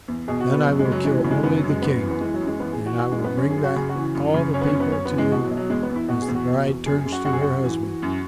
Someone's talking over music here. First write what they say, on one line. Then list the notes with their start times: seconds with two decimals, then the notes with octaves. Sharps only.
Then I will kill only the king, and I will bring back all the people to you as the bride turns to her husband.
0.08 E2
0.28 B2 G#4
0.40 F#4
0.47 B2
0.54 B3
0.66 F#2 F#3
0.79 G#3
0.85 C#3
0.92 F#3
1.05 E3 G#3
1.18 F#3
1.24 C#3
1.31 G#3
1.43 F#2 B3
1.57 F#3
1.63 F#2
1.69 G#3
1.82 F#2 B3
2.02 E3
2.11 B3
2.21 E3 G#3
2.34 F#3
2.41 F#2
2.47 G#3
2.60 E3 B3
2.73 G#4
2.80 E3
2.86 F#4
2.99 E3 F#4
3.12 G#3
3.18 F#2
3.24 B3
3.37 F#2 C#4
3.50 G#4
3.57 F#2
3.63 F#4
3.76 C#3 G#4
3.89 F#4
3.96 E3
4.15 F#2
4.34 C#3
4.54 F#2 C#4
4.61 B3
4.67 C#4
4.73 F#2
4.80 B3
4.92 F#2 C#4
5.05 B3
5.11 E3
5.18 G#3
5.31 B2 F#4
5.44 F#3
5.51 B2
5.57 F#3
5.70 E2 G#3
5.83 B3
5.89 E2
5.96 E4
6.08 B2 F#4
6.22 G#4
6.28 E2
6.35 F#4
6.47 B2
6.66 E2
6.86 F#2 G#4
6.99 G#4
7.05 F#2
7.12 F#4
7.25 F#2 F#4
7.33 G#4
7.41 F#2 F#4
7.64 E3
7.83 E3
8.02 F#2